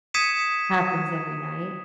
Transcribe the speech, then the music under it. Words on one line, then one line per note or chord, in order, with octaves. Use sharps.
happens every night,
D#6 G#6 B6 C#7 D#7 E7